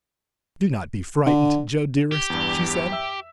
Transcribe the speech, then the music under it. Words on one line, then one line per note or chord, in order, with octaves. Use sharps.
"Do not be frightened, Joe dearest," she said.
D3
G4
E2 G2
E5 E6